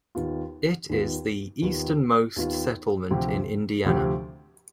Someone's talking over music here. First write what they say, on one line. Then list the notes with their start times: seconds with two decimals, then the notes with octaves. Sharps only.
It is the easternmost settlement in Indiana.
0.15 D#2 D#3 B3 F4
0.89 D#2 D#3 B3 F4
1.62 D#2 D#3 B3 F4
2.36 D#2 D#3 B3 F4
3.10 D2 C3 F3 C4 G4
3.85 D2 C3 F3 C4 G4